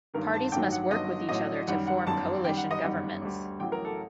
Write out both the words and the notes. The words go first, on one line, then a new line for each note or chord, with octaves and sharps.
Parties must work with each other to form coalition governments.
G1 G2 D#3 A#4
A5
A5
A1 G2 D#3 F#3 G5
F#5
G1 G2 D#3 F#3 D#5
A1 A2 F#3 D#5
F#2 D#3 G3 F#5
F#5
G1 F#2 D#3 G3 A5
F#2 D#3 G3 G5
F#5
D#5
G1 F#2 D#3 G3 F#5
D2 D3 G3
A1 A2 F#3 G5
A#4
A4